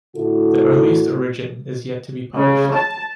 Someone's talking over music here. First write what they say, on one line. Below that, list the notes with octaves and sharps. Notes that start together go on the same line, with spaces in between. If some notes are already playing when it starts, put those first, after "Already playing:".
The earliest origin is yet to be published.
A2 D3 E4 F#4 A4
C#3
A5